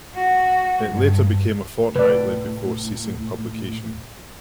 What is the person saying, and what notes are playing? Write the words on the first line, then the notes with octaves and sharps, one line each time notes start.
It later became a fortnightly before ceasing publication.
F#4
G2
A2 C3 B4 D5